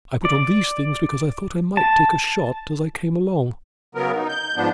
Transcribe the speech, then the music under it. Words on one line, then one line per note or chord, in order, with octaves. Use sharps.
I put on these things because I thought I might take a shot as I came along.
D5
A5
C#3 F#3 B3 A#4
D#4
G6
G#2 F3 B3 D4